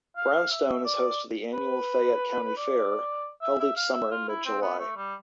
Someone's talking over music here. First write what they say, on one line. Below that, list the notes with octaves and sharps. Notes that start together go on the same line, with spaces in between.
Brownstown is host to the annual Fayette County Fair, held each summer in mid-July.
F5
E5
D5
B4
D5
E5
E5
F5
E5
F4
E4
C4
B3
A3
G3